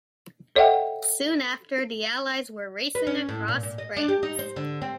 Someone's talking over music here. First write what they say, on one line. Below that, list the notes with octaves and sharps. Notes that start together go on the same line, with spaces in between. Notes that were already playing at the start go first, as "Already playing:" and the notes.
Soon after, the Allies were racing across France.
A4 C#5 D#5 E5 F#5 G5
B4
C#4
A2
A#2
A#2
D#5
D4
G4
D#4
C5
D3
C4